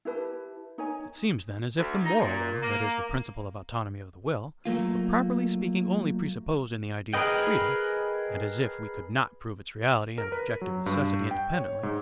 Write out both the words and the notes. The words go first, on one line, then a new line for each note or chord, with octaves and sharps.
It seems then as if the moral law, that is, the principle of autonomy of the will, were properly speaking only presupposed in the idea of freedom, and as if we could not prove its reality and objective necessity independently.
E4 G4 B4 A5
D#4 C#5 G#5
D2
D#4
A#2
A#3
F#3 A3 A#3 F4
G#4 A#4 B4 D#5 G5
A#4
B4
F#3
G2
G5
C#5
G#2